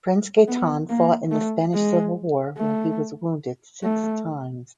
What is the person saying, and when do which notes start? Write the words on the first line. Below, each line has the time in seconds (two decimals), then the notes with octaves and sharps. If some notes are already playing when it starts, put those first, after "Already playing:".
Prince Gaetan fought in the Spanish Civil War where he was wounded six times.
0.48 B3
0.90 A#3
1.31 A3
1.74 G#3
2.57 A3
3.83 A3